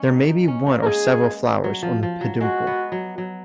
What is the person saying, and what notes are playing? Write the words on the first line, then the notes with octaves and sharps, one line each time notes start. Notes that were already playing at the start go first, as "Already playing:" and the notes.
There may be one or several flowers on the peduncle.
Already playing: G#3 C#4
D#4
D#4
C#4
A#3
A#4
G#3 G#4
F#3
F3
F3
F#3
G#3 F#4
B3
F#3
F#3